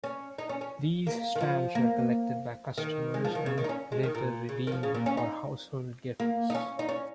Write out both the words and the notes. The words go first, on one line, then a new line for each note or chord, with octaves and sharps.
These stamps were collected by customers and later redeemed for household gifts.
C#4
D#4
C#4
C#4
A#3
D#3
F3
A#3
D#3
G#3
F3
D#3
C#3
D#3
D#4
C#4
G#3
D#3
A#2
C#3
D#3
F3
C#3
A#2
C#4
D#4
A#3
D#4
C#4
D#4
C#4